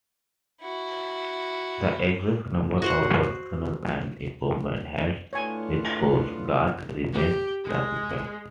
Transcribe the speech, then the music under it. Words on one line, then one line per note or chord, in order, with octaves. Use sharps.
The exact number of personnel and equipment held with Coast Guards remains classified.
E4 F#4
F#4 C5 F#5
A2 B3 D4 F4 C#5 G#5
G4
G#3